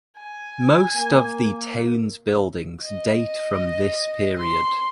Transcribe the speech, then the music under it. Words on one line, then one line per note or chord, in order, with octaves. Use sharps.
Most of the towns buildings date from this period.
G#5
A#3
D#5
C6